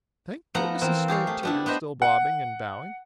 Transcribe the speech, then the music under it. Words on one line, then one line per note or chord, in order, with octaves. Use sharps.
"Thank goodness!" exclaimed Teeter, still bobbing and bowing.
F3 A3 B3 F#5 A#5
E3 A#3 C4
G4 G#4 C#5 F5
A3
B3 D4 E4
B3 B4 C5 D#5 E5
F#5